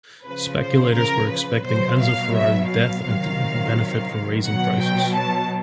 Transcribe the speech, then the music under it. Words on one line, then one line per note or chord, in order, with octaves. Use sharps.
Speculators were expecting Enzo Ferrari's death and to benefit from raising prices.
C#3 F3 B4
C5
A#4
B4
B2 F#3 C5
F5
E5
F5
C3 D#3 F#3
B2 F#3 F#5
G5
A5